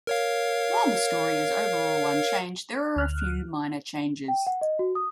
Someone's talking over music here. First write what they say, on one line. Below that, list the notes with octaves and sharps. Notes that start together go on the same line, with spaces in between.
While the story is overall unchanged, there are a few minor changes.
A#4 C#5 F5
D2 F6 F#6
G5
F#5
D#5
F#4
D#6